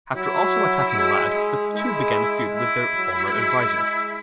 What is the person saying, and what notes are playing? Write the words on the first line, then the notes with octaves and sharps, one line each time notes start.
After also attacking Ladd, the two began a feud with their former adviser.
F#3 E4
G#3
G#3 E4
E4
F#3
G#3